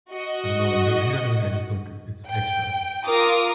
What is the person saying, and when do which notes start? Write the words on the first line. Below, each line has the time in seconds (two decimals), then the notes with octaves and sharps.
I don't know what I'm doing, you know what I mean? I just look it's extra.
0.13 F#4 D#5
2.31 G5
3.05 F4 A#4 D6 D#6